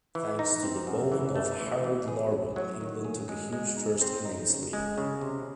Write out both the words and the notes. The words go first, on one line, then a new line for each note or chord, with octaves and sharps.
Thanks to the bowling of Harold Larwood, England took a huge first innings lead.
E3
D#4
C4
F#2
E3
A3
E3
E3
G#4
F#3
F#3
D#3
G#4
G#3
G#3
D#4
C4
D#4
C#3
G#3
C#3
C3